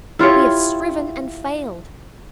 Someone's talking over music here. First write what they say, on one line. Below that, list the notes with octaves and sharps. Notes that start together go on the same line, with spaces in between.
We have striven and failed.
E4 F4 G4 C#5